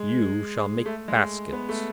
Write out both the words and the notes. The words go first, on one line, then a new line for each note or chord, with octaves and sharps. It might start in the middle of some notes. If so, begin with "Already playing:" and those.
You shall make baskets.'
Already playing: G#3
A3
G#3
B3
A3